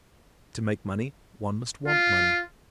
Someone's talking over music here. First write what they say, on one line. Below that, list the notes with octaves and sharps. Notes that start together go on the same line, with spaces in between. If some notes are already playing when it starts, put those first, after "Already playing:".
To make money one must want money.
F4